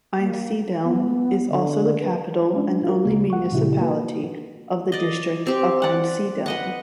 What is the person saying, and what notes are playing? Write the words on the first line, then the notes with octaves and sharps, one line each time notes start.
Einsiedeln is also the capital and only municipality of the District of Einsiedeln.
A#3
B3
D3
B4
G#3 C#4 D4
F4 F#4 A#4
D2 C#3 A#3
F#5 C#6
A#2 C#3 F3 E4 F#4 G4
A#3 F#4 B4
D5 D#5
C4 G4
D5 F#5
B4 D#5 F#5